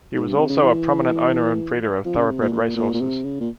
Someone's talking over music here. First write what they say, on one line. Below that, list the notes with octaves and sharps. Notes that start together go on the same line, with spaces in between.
He was also a prominent owner and breeder of Thoroughbred racehorses.
G#2
G2
C3
C#3
E3
F3
C#3
C3
A#2
A#2
A#2
A#2
C3
C#3
A#2